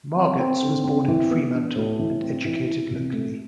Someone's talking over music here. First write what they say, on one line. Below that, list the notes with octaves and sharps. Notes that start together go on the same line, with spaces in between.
Margetts was born in Fremantle and educated locally.
C4
C4
D3
C4
E3
B3
D4
A2
E3
C4
E3
E4
C3
A3